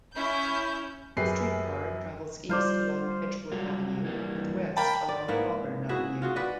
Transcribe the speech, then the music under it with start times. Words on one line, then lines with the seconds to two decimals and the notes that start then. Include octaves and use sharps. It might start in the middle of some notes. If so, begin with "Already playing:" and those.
The streetcar travels east along Edgewood Avenue and west along Auburn Avenue.
0.15 C#4 E4 G6
1.17 F#2 G4 G#4 B4 C7
2.49 G3 F4 C5 D5
3.52 F#3 G3 F4
4.04 E3 G3 A#3
4.77 A#3 G5 A5 B5
5.09 D5
5.28 G#2 A#3 B3 E4
5.89 E4 F#4 G#4 E5
6.22 F4 F#4 G#4
6.36 F#4 B4 D5 D#5